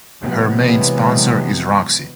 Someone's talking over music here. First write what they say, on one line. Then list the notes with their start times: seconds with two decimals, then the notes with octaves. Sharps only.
Her main sponsor is Roxy.
0.22 C3 E3 F#3 G#3 B3